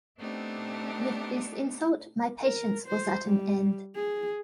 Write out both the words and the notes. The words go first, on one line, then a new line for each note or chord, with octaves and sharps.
With this insult my patience was at an end.
A3 B3 C4 D4 D#4 G4
A#4
C5
G3
G#4